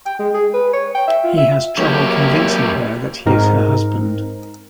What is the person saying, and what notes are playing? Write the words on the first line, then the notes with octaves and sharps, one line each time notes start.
He has trouble convincing her that he is her husband.
G5
G#3
G#4
B4
C#5
G5
E5
F4
E5
F#2 A#3 G4
G#2 C4 D#4 A#4